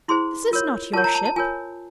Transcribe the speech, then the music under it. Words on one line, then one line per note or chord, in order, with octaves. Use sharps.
This is not your ship.
E4 G#4 C5 C6
F4 A#4 C#5
F4 A#4 C#5 A5
A#5
A5
A5
F4 A#4 C#5 G#5